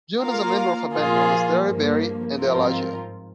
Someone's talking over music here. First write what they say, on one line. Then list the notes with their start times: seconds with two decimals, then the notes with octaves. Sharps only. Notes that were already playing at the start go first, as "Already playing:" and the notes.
John was a member of a band known as Derryberry and Alagia.
0.22 A#3 F4 A#4 F5
0.94 A#2 F3 A#3 F4 G#4
1.66 G2 F3 A#3
2.38 G#2 F3 C4 F4 A#4